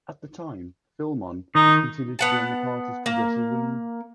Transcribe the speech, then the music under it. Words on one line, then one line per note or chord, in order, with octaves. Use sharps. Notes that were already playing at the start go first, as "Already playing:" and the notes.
At the time, Filmon was considered to be on the party's progressive wing.
D#3 D#4
B3 F#5 A5
A#3